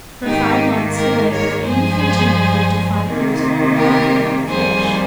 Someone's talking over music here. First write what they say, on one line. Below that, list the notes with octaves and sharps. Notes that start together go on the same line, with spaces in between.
For five months he labored indefatigably to find a reason for the laughter of the fish.
G#2 D#3 A#3 D#4 G4
G4 A#4
A#4 C#5
G2 F3 G#3 G#4 C5
C3 D#3 A#3
G4 A#4
F2 D#3 G3 A#3 G#4 C5